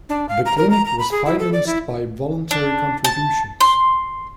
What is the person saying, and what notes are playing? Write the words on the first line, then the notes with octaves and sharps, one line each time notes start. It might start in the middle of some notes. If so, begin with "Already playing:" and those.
The clinic was financed by voluntary contributions.
D4
F5
A#5
A#4
A#5
A#5
B5
G#4
E4
A4
D5
E4
D4
A5
C6